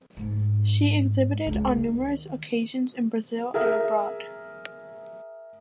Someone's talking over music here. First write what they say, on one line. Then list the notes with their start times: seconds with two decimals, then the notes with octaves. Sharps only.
She exhibited on numerous occasions in Brazil and abroad.
0.17 G#2
1.46 C#2
1.71 D#3
3.54 G#4 A#4 E5